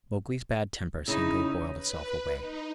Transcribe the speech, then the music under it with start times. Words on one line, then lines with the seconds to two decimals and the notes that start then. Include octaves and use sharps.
Mowgli's bad temper seemed to have boiled itself away.
1.08 C#3 D#4 E4
1.76 B4
2.37 D#4